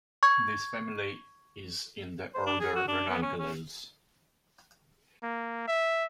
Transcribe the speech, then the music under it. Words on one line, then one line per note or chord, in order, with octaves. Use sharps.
This family is in the order Ranunculales.
C#6 G#6
C5
D4
G#4
F#4
D4
B3
C#4
C#4
A#3
E5